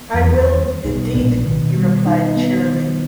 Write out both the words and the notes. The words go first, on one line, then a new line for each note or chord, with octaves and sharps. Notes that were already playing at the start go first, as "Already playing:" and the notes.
"I will, indeed," he replied cheerily.
Already playing: B3
F2
E2 D#3
G3
B1 B2 D#4
A#1 A#2 B3
B1 B2 D#3
G3
D#4
B3
D#3